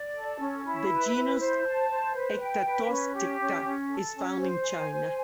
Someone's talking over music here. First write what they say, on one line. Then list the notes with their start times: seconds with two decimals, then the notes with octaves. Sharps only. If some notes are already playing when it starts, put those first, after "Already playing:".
The genus "Ectatosticta" is found in China.
Already playing: D5
0.13 A4
0.38 C#4
0.64 E4
0.88 B4
1.14 E4
1.39 C5
1.64 A5
1.89 C5
2.14 B4
2.39 G5
2.65 B4
2.89 C#4
3.14 G4
3.40 C#4
3.64 C#4
3.90 A4
4.14 C#4
4.39 C5
4.65 G#5
4.89 C5